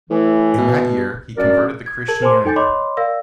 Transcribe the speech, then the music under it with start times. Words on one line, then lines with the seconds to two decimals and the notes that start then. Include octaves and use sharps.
In that year, he converted to Christianity.
0.10 A2 E3
0.58 B2
1.38 F#2 D4 A#4 D5
1.86 G#6
2.08 G#4 A#4 A5 G#6 F#7
2.21 A#4 C5 G#5 A5 C6 D6
2.45 D#4 A4 G5 G#5 G6 A6
2.56 C#5 D#5 B5 C6 D6
2.97 A#4 D5 F5 E6 A#6